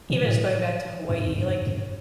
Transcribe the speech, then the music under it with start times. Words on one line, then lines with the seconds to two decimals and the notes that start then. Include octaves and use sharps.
even just going back to Hawaii, like,
0.10 B2
0.24 A2
1.09 F#2
1.24 E2
1.38 F#2
1.67 F#2